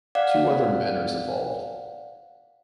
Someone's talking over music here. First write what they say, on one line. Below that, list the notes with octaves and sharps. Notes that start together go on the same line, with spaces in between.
Two other manors evolved.
D5 F5 F#5